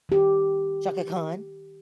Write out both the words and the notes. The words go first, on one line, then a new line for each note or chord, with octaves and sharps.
Chaka Khan.
D#3 G4